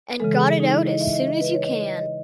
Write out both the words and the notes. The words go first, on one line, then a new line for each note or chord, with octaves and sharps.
And got it out as soon as you can.
C#3 E3 G#3 A4
G#4
D#4
E4
D#5
E5
D#5
D#5
B4
C#5
D#5
D#5
D#5